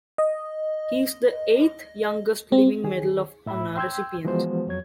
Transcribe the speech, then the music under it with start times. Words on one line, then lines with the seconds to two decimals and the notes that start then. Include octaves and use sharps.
He is the eighth-youngest living Medal of Honor recipient.
0.18 D#5
2.52 C4
2.84 D#3 G#4
3.46 A2 E5 B5 E6
3.77 G5 C6 E6 G6 G#6
4.25 E3 F3 G#3 B3 F#4 C5
4.67 F2 F#3 C#5 G#6